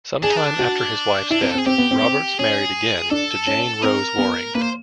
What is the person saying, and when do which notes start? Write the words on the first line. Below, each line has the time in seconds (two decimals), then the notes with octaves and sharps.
Some time after his wife's death, Roberts married again, to Jane Rose Waring.
0.23 D4 G#4
0.30 D#4
0.37 D4
0.59 F#4
1.30 D4 E4
1.42 C4 A#4
1.50 A4
1.55 C4
1.59 G#4
1.66 C4 G4
1.78 B3
1.91 C4
2.02 C4
2.39 C#4 G#4
3.10 D4 A4
3.47 C#4
3.82 C4 A#4
4.18 B3
4.55 A#3 B4
4.62 C5